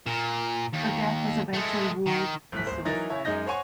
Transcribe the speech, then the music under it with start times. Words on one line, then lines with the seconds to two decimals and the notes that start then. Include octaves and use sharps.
Her death was eventually ruled a suicide.
0.07 A#2
0.74 D#2
1.53 G#3 A3
2.06 D#3
2.52 G1 A2 F#6 B6
2.67 D#1 C5
2.85 E3 F#3 D#4 A#4 A6 A#6
3.09 E4 C#5
3.25 F#2 G#3 D#4 D#5 G6 A#6
3.46 C5 C#5 F#5 G#5 C#6